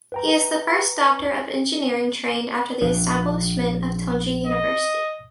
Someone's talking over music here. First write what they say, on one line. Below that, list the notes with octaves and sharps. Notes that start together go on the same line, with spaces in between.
He is the first doctor of engineering trained after the establishment of Tongji University.
B4 G5 A#5
A#1 F3 D4
D#5